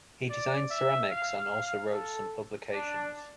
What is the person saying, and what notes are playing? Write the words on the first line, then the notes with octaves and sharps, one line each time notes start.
He designed ceramics and also wrote some publications.
D5
E5
F5
F5
A4
D4